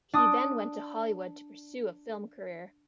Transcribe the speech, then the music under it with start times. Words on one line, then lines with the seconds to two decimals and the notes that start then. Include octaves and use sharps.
He then went to Hollywood to pursue a film career.
0.13 D4 D#6